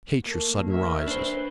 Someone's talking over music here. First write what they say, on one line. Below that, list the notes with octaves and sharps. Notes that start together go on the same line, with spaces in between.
I hate your sudden rises.
A3 A#3
A#4 C#5 E5
D4 B4 C5